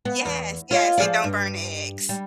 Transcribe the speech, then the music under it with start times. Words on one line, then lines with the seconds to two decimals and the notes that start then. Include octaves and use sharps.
Yes, yes, and don't burn the eggs.
0.05 B3
0.25 E2
0.71 F4 C#5 D#5
0.98 F3 G#4 D5
1.24 G2
2.09 G3